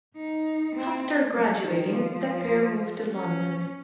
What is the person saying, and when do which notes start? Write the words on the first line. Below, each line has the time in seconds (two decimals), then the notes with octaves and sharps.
After graduating, the pair moved to London.
0.17 D#4
0.76 C4
1.34 F#3
1.63 D#3
1.92 F3
3.10 C#4